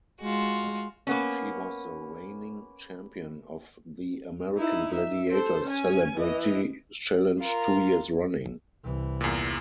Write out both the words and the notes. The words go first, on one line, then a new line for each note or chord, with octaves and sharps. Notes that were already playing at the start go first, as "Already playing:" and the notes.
She was the reigning champion of the "American Gladiators" Celebrity Challenge two years running.
G#3 F4 F#4
A#3 B3 C#4
D#4 E4
E5
A4 C5
C#4 G#5
E3 D#5
F4 A#4
C2 E3
E2 A#2